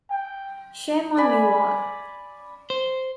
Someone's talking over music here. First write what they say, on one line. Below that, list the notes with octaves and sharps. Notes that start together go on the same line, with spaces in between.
Shame on you all.
G5
D5 G#5 B5
C5